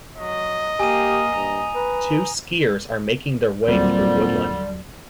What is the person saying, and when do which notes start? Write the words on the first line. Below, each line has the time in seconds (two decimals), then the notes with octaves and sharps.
Two skiers are making their way through woodland.
0.17 F#3 D#5
0.80 A#3 G4 G#5 D#6 D#7
1.36 G2 A#5
1.75 B4
3.68 D#2 A#2 D3 F#3 G3 C4 D5